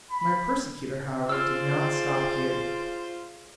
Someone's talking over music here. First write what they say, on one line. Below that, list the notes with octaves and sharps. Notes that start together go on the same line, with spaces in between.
My persecutor, however, did not stop here.
B5
F4 G#4 C5 D5 E6 F6